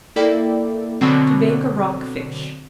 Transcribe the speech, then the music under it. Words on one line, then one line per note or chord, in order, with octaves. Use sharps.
To Bake a Rock Fish.
A#3 E4 A4 D5 G5
B2 D3 F#3 C4